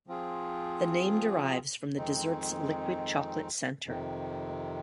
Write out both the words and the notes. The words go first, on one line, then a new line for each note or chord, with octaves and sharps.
The name derives from the dessert's liquid chocolate center.
F3 C4 F4 G#4
F2 D#3 G#3 C4 D#4
F2 C3 D#3